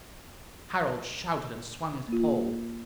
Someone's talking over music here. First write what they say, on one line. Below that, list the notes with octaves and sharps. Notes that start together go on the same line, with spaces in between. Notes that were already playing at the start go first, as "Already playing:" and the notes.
Harald shouted and swung his pole.
A#3 F4